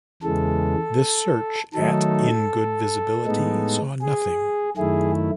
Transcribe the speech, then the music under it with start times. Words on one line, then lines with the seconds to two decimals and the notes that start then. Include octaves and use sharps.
This search at in good visibility saw nothing.
0.23 E2 C#3 E3 G#3 A4
1.74 D#3 F#3 A3 D#4 A4
3.26 A2 G#3 B3 D#4
4.02 G#4
4.77 F#2 D#3 A3 E4 G#4